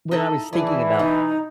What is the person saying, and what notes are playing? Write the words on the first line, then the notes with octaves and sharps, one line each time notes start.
when I was thinking about
D#4 E4 A4
E3 D4 G#4 B4
B2 D#4